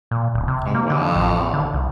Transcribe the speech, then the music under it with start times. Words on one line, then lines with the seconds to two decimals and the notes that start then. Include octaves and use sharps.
Oh wow.
0.11 A#2
0.34 D1
0.48 C3
0.75 A#3
0.90 D3
1.15 A1
1.54 D3
1.73 C2